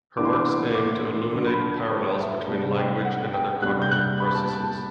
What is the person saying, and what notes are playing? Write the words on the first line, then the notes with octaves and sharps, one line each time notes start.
Her works aim to illuminate parallels between language and other cognitive processes.
E3 B3 D4 D6
C6
D6
D6
D3 F#3 B3 D4 C6
B5
A5
A5
C5
E5
C3 G3 B3 D4 A5
G5
F#5
G5
C3 G3 B3 D4 F#6
G6
F#6
B5
A5
A5
A5